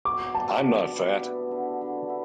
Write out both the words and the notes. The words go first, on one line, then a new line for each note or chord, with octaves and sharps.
I'm not fat.
B2 D6
G3 A5
D4
B3
E4
D3
D3
E4